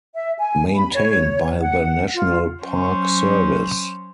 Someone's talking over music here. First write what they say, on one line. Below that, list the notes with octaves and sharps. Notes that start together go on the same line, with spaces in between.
Maintained by the National Park Service.
E5
G#5
B5
C#5
F#5
F4
F#3 C#4 C5